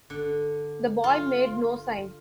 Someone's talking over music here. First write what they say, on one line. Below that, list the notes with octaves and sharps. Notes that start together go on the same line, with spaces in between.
The boy made no sign.
D3
F4